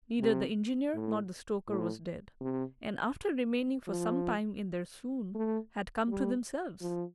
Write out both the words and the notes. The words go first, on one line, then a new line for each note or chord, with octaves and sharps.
Neither the engineer nor the stoker was dead, and, after remaining for some time in their swoon, had come to themselves.
C3
A2
A2
C3
F3
A3
G3
F3